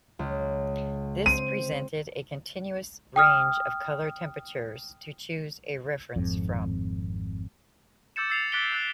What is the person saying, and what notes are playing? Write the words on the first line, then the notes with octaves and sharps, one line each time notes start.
This presented a continuous range of color temperatures to choose a reference from.
C#2
C4 D#7
G5 D#6 F6
G#1 F2
D6 E6 G6 A6 C#7 E7
E6 A6 C7 C#7 F7
D6 F#6 A6 B6 D7 G7
E6 F#6 G6 A6